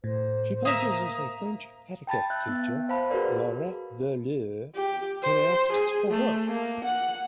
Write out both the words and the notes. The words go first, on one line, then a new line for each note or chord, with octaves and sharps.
She poses as a French etiquette teacher, Laurette Voleur, and asks for work.
A2 C5
A#3 E5 A#5 D#6
G5 A5 B5 A6
E5 F#6 G6
B3
C5 F5 A5 B5
F#4 G#4 A#4 B4 D5
G4
C5
G#4
A3
A#3
F#5